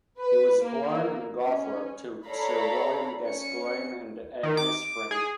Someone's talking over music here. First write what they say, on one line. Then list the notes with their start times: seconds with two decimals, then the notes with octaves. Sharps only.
He was born in Gawthorp to Sir William Gascoigne and Agnes Franke.
0.18 B4
0.63 A#3
1.42 C#4
2.26 A4 C#5 D5 F5 A#5 B5
3.26 C#4 C#7
4.43 D#3
4.57 D6
5.11 G#4